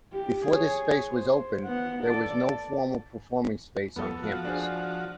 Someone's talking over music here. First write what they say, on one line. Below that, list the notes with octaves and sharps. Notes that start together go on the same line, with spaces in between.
Before this space was opened there was no formal performing space on campus.
G4
G#4 C#5
C5
B3 F#5
A4 D5
F2 B3 A4
F3 F#4
D4 G#4 C5